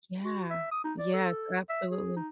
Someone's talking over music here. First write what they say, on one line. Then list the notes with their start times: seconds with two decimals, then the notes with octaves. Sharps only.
qYeah. Yes, absolutely.
0.25 F#4
0.50 E5
0.71 D#6
0.84 D#4
0.99 D5
1.13 A4
1.69 E5
1.91 G#4
2.16 D#4